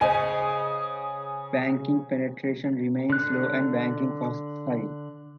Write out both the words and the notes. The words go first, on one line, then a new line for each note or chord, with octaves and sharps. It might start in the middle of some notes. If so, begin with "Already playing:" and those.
Banking penetration remains low and banking costs high.
C#3 C5 D#5 G#5 D#6
D3 F#6